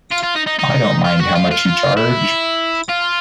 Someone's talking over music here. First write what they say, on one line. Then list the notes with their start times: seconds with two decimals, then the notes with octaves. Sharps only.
I don’t mind how much you charge!
0.12 F4
0.23 F4
0.35 D#4
0.47 D#4
0.59 D#4
1.04 F4
1.19 F#4
1.35 F4
1.51 F4
1.97 E4
2.89 F4